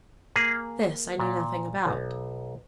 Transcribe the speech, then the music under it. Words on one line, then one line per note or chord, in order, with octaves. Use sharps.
This I knew nothing about.
A#3 G#4
A#2
B1